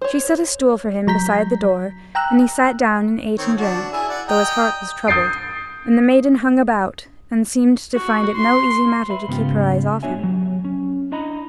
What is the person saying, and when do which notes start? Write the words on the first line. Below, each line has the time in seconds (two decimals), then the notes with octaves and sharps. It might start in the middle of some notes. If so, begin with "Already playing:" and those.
She set a stool for him beside the door and he sat down and ate and drank, though his heart was troubled; and the maiden hung about, and seemed to find it no easy matter to keep her eyes off him.
0.02 C5 C#5
1.07 F#3 A#5 G6 B6
2.15 G5 A#5 E6 F#6
3.37 D#3 C4 C#5
3.58 D4 F#4 A5
3.92 E4 G#4
4.09 D5 F#5
4.28 D#5 G5 A#5
5.07 D#6 G6 A6 C7 D7
7.95 F#4
8.37 C6
9.09 B4 E5 B5
9.28 G#2 C#3 B3 D#4 F4 G4
10.03 B3 D4 F#4 C#5 E5 G#5
10.19 F#3 G4
10.65 C#4
11.12 D4 E4 D#5 A#5 B5